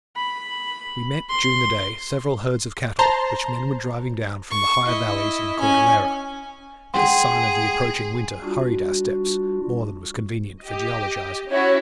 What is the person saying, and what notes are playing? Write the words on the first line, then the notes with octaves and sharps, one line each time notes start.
We met during the day several herds of cattle, which men were driving down from the higher valleys in the Cordillera. This sign of the approaching winter hurried our steps, more than was convenient for geologizing.
B5
C6
C5 A5 A#5 C6
C#6
E4 D#5
C#4 G#5
G#4 F#5 G5 C6
G3 D4 F4 F#4
G4 D#5
C#4 E4 F#4 C#5